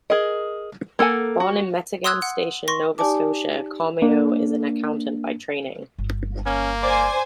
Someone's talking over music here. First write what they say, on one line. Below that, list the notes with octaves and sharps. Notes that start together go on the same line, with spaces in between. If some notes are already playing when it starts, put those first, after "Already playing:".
Born in Meteghan Station, Nova Scotia, Comeau is an accountant by training.
G#4 A#4 D#5
A#3 A4 F#5 G#5
F#4
C6 D#6 E6 F#6 G#6
F#5
C6 C#6 A#6
D#4 G4 D5 G#5 A5 D6
A#3 D4
G1
A#3 C#4
C5 D5 G#5